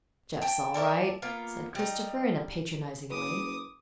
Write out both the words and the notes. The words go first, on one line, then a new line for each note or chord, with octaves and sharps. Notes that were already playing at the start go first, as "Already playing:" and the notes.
"Jeff's all right," said Christopher in a patronizing way.
G5 A5
A4 A#4 D5 E5
A#3 B3 F4
G3 D#4
F#1 B4 D6 D#6